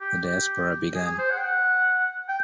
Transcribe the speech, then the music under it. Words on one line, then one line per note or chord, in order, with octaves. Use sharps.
The diaspora began.
G4
G4
G#4
G#4
C5
F#5
G5
F#5
G5